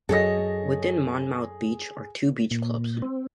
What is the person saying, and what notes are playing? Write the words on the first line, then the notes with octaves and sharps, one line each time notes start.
Within Monmouth Beach are two beach clubs.
F#2 F#3 G#4 A4 C#5 D#5 A#6
A#2
C4